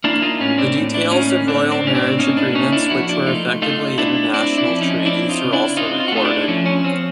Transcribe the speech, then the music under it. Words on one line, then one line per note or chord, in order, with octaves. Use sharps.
The details of royal marriage agreements, which were effectively international treaties, were also recorded.
A#3 D4 E4
D#4 F4
A2 C#4
C4 D4
A2
D4 E4
A#3 C#4 D#4
C#4
A2 C4 D4
C4 D4
A2 C#4
C4 D4
A#3 C#4 D#4
D4 E4
A#3 C#4 D#4
D4 E4
F3 E4 F#4
D4 E4
A3 D#4 F4
A3 D#4 F4
A3 D4 E4
C4 D4 E4
D4 E4
F3
C#4 D#4
C4 D4 E4
D#4 F4
C#3
D4 E4
C4 D#4 F4
F4
F#4
A3 D#4 F4
D4 E4
F3 C#4
C#4
F3 C4